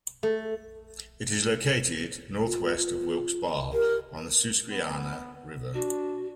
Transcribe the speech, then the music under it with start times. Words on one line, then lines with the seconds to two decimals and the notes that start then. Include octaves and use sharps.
It is located northwest of Wilkes-Barre, on the Susquehanna River.
0.23 A3
2.46 F4
2.77 F4
3.73 G4 A#4
4.71 B3
5.74 D4 F#4